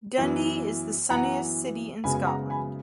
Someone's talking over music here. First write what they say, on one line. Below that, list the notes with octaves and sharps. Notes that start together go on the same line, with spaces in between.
Dundee is the sunniest city in Scotland.
F#2 E3 B3
F#2 E3 B3 F#5 A#5
F#1 F#2 C#3 G#3 B3 G#5 B5
G#5
F#5 A#5
G#5 B5